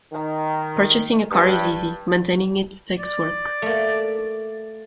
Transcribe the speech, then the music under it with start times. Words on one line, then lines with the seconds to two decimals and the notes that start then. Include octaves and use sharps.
Purchasing a car is easy, maintaining it takes work.
0.13 D#3
1.31 G2
2.99 D5
3.62 A3 A#3